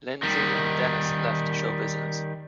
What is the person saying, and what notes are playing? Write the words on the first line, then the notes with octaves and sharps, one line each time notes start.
Lindsay and Dennis left show business.
D#3 G3